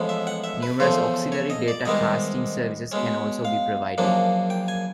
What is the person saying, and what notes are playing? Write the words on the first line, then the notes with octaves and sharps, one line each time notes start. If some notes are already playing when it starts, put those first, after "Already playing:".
Numerous auxiliary datacasting services can also be provided.
Already playing: A1 A2 F3 G#3 B3
E5
F#5
E5
B4
E2 C#3 F3 A3 C5
C#5
D#5
D5
C2 C3 D#3 G#3 B3 D#5
B2 G#3 C#4
F5
F#2 C#3 F3 A#3 D4
G5
G#5